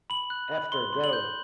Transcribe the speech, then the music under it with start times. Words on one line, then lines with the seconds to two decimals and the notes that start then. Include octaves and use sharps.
After Go!
0.10 B5 F#7
0.30 F#6
0.52 B5
0.72 C6 G7
0.93 C6
1.04 F#7
1.13 G6